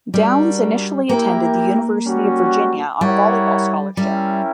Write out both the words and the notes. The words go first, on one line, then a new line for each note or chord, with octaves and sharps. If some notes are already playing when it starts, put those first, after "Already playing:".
Downs initially attended the University of Virginia on a volleyball scholarship.
G3 D4 F#4 A#4 D5
A#3 E4 G4 A#4 E5 G5
G3 C#4 F#4
G3 E4 G4 A#4 C#5 F#5
G3 C#4 E4 A#4 E5 G5